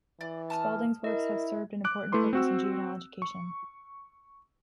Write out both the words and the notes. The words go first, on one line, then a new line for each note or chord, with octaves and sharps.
Spaulding's works have served an important purpose in juvenile education.
E3 D5
A5 D#6 F6
E4 A#4 D#5
D6 F#6 D7
A3 E4 B4 C6 D6
C4 F#4 E6
C#6